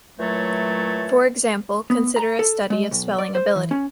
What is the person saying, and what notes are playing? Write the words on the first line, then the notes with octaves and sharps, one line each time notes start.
For example, consider a study of spelling ability.
A#2 E3 F#3 A3 C#5 A5
B3
A#5
A4
G#3
B1
D5
C5
E3
C#4